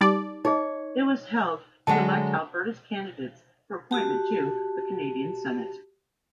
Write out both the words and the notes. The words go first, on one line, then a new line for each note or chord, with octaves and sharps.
It was held to elect Alberta's candidates for appointment to the Canadian Senate.
G3 D#4 D5
D#4 G#4 C#5 D#5
D3 F#3 G#3 F#5 A5
F#4 G4 A5